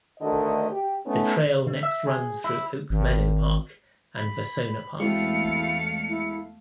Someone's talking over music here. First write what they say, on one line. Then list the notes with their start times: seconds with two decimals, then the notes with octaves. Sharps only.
The trail next runs through Oak Meadow Park and Vasona Park.
0.19 D2 D3 D#3 A3 D#5
0.70 G4
1.04 A3 B3 C#4 D#4
1.67 D3
1.83 E5
2.07 G#4
2.44 E4
2.90 G#1
4.15 B5
5.00 E2 G#3 A3 C4 E4 F#4 F5 C#7
6.09 E4